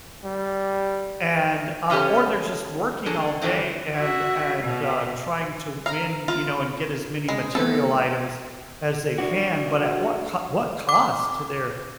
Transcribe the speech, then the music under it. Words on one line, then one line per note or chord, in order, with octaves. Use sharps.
and, uh, or they're, just, working all day and and, uh, trying to win, you know, and get as many material items as they can, but, at what c what cost to their
G3
C#3 C#4 F#4 G4 A4
A#3 D4 G#4 A4
E2 D3 E3 A3 C4
F#4 E5
B2
F5 A#5
F4
G#3
C3 A3 B3 A4
D4 F#4
D6